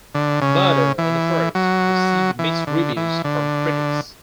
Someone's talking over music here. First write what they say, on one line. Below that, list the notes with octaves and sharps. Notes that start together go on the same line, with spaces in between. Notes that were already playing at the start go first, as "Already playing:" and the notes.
"Murder in the First" received mixed reviews from critics.
D3
C#3
E3
F#3
E3
D3
E3
D3